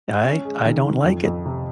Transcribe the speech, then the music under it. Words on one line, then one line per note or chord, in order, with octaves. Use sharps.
I I don't like it.
C#4
G#3
D#3
D#3
F2
F2
C3